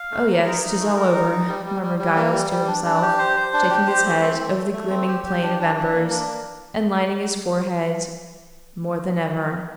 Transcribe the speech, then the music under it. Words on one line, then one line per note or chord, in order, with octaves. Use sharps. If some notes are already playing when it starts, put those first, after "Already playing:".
"Oh yes--'tis all over!" murmured Giles to himself, shaking his head over the glooming plain of embers, and lining his forehead more than ever.
Already playing: F5
A3
A#4
D#4
D#4
A3
A#4
D#4
D#4
G3
G3
G3
G3
A#3
G3
G3
D4
D4
G4
C5
C5
D4
G4
C5
A3
C4
A3
A3
A3
C4
G4
G4
D4
D4
D4
A#3
D4
A#3